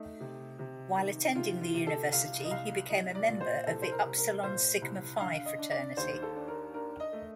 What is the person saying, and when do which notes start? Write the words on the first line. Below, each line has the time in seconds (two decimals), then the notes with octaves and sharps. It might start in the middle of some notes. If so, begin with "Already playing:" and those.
While attending the university he became a member of the Upsilon Sigma Phi fraternity.
Already playing: A3 D#4
0.20 C3
0.59 C3
0.97 D#3
1.35 C3 F4
1.61 F4
1.74 C3
1.87 A4
2.12 C2 F5
2.44 D#5
2.51 C2 F5
2.89 C2 D#5
3.15 D5
3.28 A#2
3.41 C5
3.66 C2 A4
3.82 C5
3.92 A#4
4.04 C2
4.18 A#4
4.43 A#2 C5
4.82 C2
5.20 D3 F5
5.45 D#5
5.59 D4
5.71 D5
5.97 D#2 C5
6.22 A4
6.36 D4
6.48 A#4
6.74 D4 A#4
7.00 D#5
7.13 A3